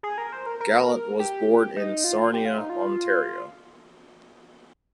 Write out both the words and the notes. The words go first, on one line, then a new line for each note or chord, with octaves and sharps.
Gallant was born in Sarnia, Ontario.
G#4
A#4
C5
A#4
A#4
G4
D#4
F4
G4
F4
D#4
F4